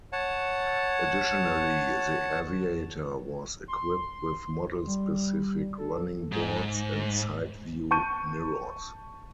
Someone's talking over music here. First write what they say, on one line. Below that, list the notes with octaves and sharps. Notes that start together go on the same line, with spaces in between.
Additionally, the Aviator was equipped with model-specific running boards and sideview mirrors.
C#5 F#5 A5
C6
G3
A4
G#2
A5 C#6 G6 D#7